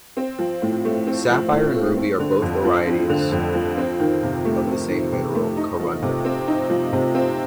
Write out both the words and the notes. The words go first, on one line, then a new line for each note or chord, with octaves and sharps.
Sapphire and ruby are both varieties of the same mineral; corundum.
C4
F3
A2
A3
C4
F3
A2
A3
C4
D3
F2
F3
C4
D3
F2
F3
C4
D#3
C3
A3
C4
D#3
C3
A3
D#4
F3
C3
C4
D#4
F3
C3
C4